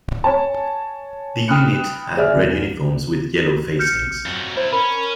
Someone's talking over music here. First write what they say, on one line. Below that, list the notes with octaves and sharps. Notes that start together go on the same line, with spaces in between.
The unit had red uniforms with yellow facings.
C#5 G#5 A5
G5 B5 D#6 F6 F#6 C#7
G#4 D5 E5 F6
E1
F6 G6 C#7
F2 F#3
C3 E4 C5
C#4 A#4 B5